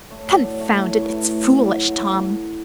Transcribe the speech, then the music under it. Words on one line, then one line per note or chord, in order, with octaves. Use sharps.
"Confound it, it's foolish, Tom."
A3 C#5
F#3 E5
A2 D5
A3 C#5
A2
C#5
A2 B4
C#5
A3
A2
F#3
A2
F#3
A3